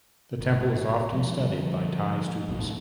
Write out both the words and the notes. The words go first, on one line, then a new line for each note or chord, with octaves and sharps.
The temple is often studied by Thai students.
G1
B2 F3 G#3
A#2 D3 F3 G3
A1 F2 G#2 B2